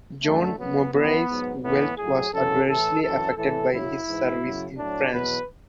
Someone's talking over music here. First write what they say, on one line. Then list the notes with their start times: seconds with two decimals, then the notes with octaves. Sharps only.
John Mowbray's wealth was adversely affected by his service in France.
0.23 F#2 D3 F#3 A3
0.58 F#2 C#3 F#3 B3
0.92 F#2 E3 B3
1.28 G#2 F#3
1.62 A2 E3 B3
1.97 A2 F#3 G#4
2.32 F#2 C#3 E3 A4
2.67 A2 E3 A4
3.02 F#2 E3 A4
3.37 A2 E3 A4
3.72 F#2 C#3 F#3 E4
4.07 G#2 E3
4.42 F#2 C#3 F#3
4.76 A2 F#3 D4
5.11 E2 B2 F#3 B4